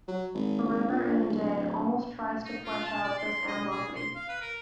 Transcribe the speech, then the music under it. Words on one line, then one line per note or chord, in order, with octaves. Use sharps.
"Forever in a Day" almost tries to flesh out this animosity.
F#3
G#1
G#1
A#1
D1
D#4
F4
A5
D5
C6
D#5
G#4
C6
F5
B4
A#4